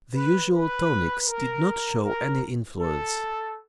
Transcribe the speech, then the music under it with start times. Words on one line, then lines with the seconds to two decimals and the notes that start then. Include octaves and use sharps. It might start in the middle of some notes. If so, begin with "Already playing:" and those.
The usual tonics did not show any influence.
0.14 B4
0.52 B4
1.28 A#4
2.03 A#4
2.78 A4